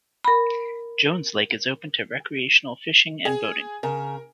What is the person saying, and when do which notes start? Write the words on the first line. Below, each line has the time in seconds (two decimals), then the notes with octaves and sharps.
Jones Lake is open to recreational fishing and boating.
0.24 A#4 B5
3.25 G#4
3.83 C#3 A#4